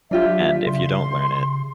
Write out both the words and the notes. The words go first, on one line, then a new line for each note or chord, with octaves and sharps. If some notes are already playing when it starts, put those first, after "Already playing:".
And if you don't learn it
F#3 D4 F4 G4 E5
C#3 C6